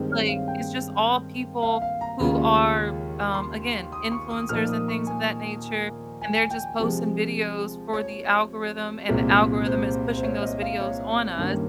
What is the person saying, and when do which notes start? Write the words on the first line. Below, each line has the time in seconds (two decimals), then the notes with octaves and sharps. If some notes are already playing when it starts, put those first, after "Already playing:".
Like, it's just all people who are, um, again, influencers and things of that nature, and they're just posting videos for the algorithm, and the algorithm is pushing those videos on us,
Already playing: G2 D#3 G#3 C4
0.10 C#5
0.29 F5
0.48 G5
1.63 F5
1.82 F5
2.01 A#5
2.20 D#2 C#3 G#3 C#4 F4
3.34 C6
3.92 D#6
4.11 C#6
4.30 D#6
4.49 A#2 F3 A#3 D#4 F6
4.69 D#6
4.88 C#6
5.07 G#5
6.21 G#5
6.36 G#5
6.50 G5
6.79 C3 F3 G#3
7.93 C#5
9.09 C2 A#2 G#3 C4
9.66 C5
10.17 C5
10.23 C#5
10.42 D#5
10.62 F5
10.81 C#5
11.38 G2 D#3 A#3 C#4